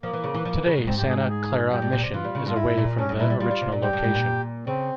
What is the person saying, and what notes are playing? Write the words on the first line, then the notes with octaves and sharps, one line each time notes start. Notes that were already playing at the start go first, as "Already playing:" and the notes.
Today Santa Clara Mission is away from the original location.
F3 A#3
E3
C#3
E3
F3
E3
C#3
G#2
G#2 C4
G4
G#4
G4
G#4
G2 G4
G#2
A#2
C3
E3 F4
G3
C#3
G2 F4
G#2 E4
A#2
G2 C#4
G2
A#2 E4
G3
G3 F4
G3
C3
A#2
G2 G4
G2
G#2
A#2
C#3 C4